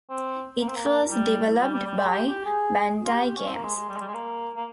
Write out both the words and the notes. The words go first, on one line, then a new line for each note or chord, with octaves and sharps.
It was developed by Bandai Games.
C4
A#3
C4
A#3
G3
G3
G3
G3
G#3
G#4
G4
G4
G#4
F4
G4
C#4
C4
A#3
G#3
G#3
G3
G#3
G3
G#3
A#3
A#3